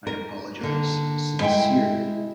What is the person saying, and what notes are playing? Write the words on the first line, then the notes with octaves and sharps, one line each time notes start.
I apologise sincerely.
A#4
D3 A#3
G#3 E4 E5 F#5 G5